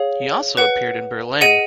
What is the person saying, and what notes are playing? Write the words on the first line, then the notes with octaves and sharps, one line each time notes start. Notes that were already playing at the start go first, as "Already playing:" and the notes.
He also appeared in Berlin.
Already playing: G#4 C#5 F5
B4 F#5
G#4 D#5 F#5 D#7